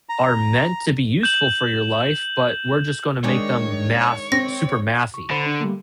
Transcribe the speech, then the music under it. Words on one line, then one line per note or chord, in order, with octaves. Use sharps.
are meant to be useful for your life, but we're just gonna make them math super mathy,"
A#5
G6 E7 F#7
D#3 G#3 D4 C#5
C4 A#6
C#6
D3 C5 B5 A6
D4
G3 A3 A#3